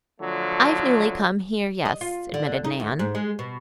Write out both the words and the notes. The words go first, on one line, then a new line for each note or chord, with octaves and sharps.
"I've newly come here, yes," admitted Nan.
D3 F3 F#3 A3
D#5
F4
D3
D#4
D2
G#2
G#3
B2